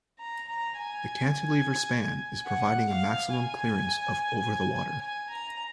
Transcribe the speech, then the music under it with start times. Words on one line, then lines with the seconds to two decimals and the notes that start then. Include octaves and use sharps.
The cantilever span is providing a maximum clearance of over the water.
0.19 A#5
0.48 A#5
0.77 G#5
2.46 F#5
2.89 F5
3.31 G#5
5.01 G#5
5.29 A#5